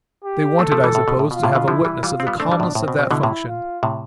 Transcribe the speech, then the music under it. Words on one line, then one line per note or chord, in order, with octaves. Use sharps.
They wanted, I suppose, to have a witness of the calmness of that function.
G4
A3 C4 A4
F3 A3
E3 G3
A2
B2
A2
B2 F4
A2 C3
B2 D3
D3 F3 E4
E3 G3
E3 G3 F4
C4
G3 B3
A3 C4 D4
E3 G3
A2
B2
A2 C4
B2
B2
B2 D3 E4
A2 C3
F4
A2 C3